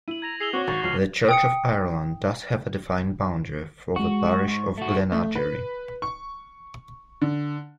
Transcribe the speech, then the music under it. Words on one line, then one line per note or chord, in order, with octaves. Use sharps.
The Church of Ireland does have a defined boundary for the Parish of Glenageary.
E4 D#7 F#7
A#5 G#6 A#6 F7
G#4 E6 C7 F7 G7
C4 F#4 C#5 C#6 D6
G#1 C#6 A6
C#2 F3 C#6 F6 C7
G5 D#6 C#7
G#3 F#4 C#6
G#2
A3 F#4
A3
B4
C#6
D3